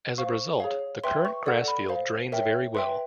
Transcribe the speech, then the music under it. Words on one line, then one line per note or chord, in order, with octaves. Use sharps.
As a result, the current grass field drains very well.
C5 F5 C#6
G#4 C#5 F5
B4 E5 G5 C6
C#6
A4 D5 F#5
B5
C5 F5
A#4 C#5 E5 G5
B4 E5 G5 C6